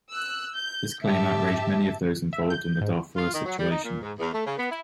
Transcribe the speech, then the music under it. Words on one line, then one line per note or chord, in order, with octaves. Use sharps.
This claim outraged many of those involved in the Darfur situation.
E6 F#6
G6
G#2 G4 E5 A5
E5
G6
G#2
F4
D#3
F#3
G3
D#4
A#2
G#2
E2
A3
C#3
B3
E4